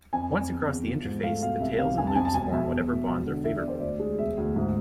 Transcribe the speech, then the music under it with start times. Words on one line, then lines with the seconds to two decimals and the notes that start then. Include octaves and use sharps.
Once across the interface, the tails and loops form whatever bonds are favorable.
0.13 F2 G#5
0.32 F2
0.50 E2
0.68 E2
0.87 F3
1.05 G#2
1.23 A3 F5
1.42 B2 F5
1.60 C2 E5
1.79 C2 F5
1.98 F2 G#5
2.07 A5
2.15 F2 G#5
2.25 A5
2.34 E1 G#5
2.52 B2 E5
2.71 E2
2.89 B2
3.08 E1
3.26 D3
3.44 E2 E5
3.56 D5
3.63 E2
3.68 C5
3.80 D2 D5
4.00 G#3
4.18 E1 E5
4.37 D2
4.56 G#2